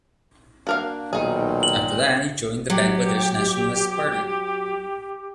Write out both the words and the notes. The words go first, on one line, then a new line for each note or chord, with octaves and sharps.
After that he joined the Bangladesh Nationalist Party.
A#3 D4 F#4 A#4 F5
B1 A#2 D#3 D#4 G#4
F#7
F#3 G4